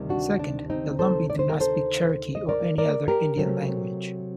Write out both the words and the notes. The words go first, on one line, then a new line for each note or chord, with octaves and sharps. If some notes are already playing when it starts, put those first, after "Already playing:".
Second, the Lumbee do not speak Cherokee or any other Indian language.
Already playing: D2 C3 D#3 G3
D4 F#4
D4
C4 D#4
A4 C5
D5
C5
A#4
A4 C5
D#5
A#4 D5
A#4 D5
G4 A#4
C3 F#3 A3 C4